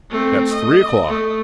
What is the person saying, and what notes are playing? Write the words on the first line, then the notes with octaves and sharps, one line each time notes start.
That's three o'clock.
A3 C4
D#5
A3